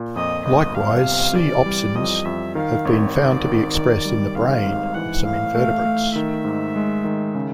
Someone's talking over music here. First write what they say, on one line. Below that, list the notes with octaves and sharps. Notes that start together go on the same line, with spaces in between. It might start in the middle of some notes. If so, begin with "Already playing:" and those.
Likewise, c-opsins have been found to be expressed in the "brain" of some invertebrates.
Already playing: A#2
F2 D#5
G1 D#5
G1 F5
C3
E3 D5
G3
F2 D#5
F2 E5
D#3 F5
G#1 C#5
G#1 D5
D#3
D#3 D5
G3
G#1 F5
G#2
E3 F#5
A2 F5
A3
A3
D#3 E5
G#2
G#3
D#3
C#3